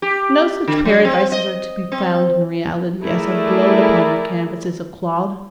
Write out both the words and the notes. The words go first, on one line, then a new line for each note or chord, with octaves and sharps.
No such Paradises are to be found in reality as have glowed upon the canvass of Claude.
G4
D3
F#3
C4
D#5
C4
A3 E4 G#4 A#4 D5